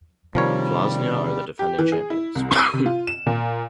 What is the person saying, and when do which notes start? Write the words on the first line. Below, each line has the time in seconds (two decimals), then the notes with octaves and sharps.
Vllaznia are the defending champions.
0.35 C3 D#3 F3 G3 A#4 C#5
1.59 G4
1.79 E3
1.92 G#4
2.10 E4
2.35 C2
2.60 D#7
2.73 C3
2.86 F4
3.07 E7
3.26 A#2